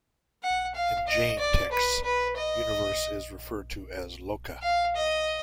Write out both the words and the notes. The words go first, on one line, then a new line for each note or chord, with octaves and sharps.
In Jain texts, universe is referred to as Loka.
F#5
F5
D#5
D5
B4
B4
D#5
F5
D#5